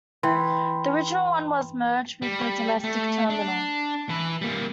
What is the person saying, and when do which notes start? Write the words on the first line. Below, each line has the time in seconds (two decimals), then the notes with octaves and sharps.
The original one was merged with the domestic terminal.
0.23 E3 G5 B5 C6
2.22 G3
2.84 A3
3.30 D4
4.09 E3 B4
4.41 G3 A#3